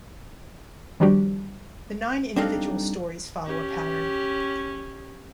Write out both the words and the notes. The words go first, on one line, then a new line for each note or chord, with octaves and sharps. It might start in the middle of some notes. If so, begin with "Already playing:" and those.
The nine individual stories follow a pattern.
D#3 F3 G3 D4 F#4 G4
G3 C4 D4 D#4 A4 F5
C#4 G4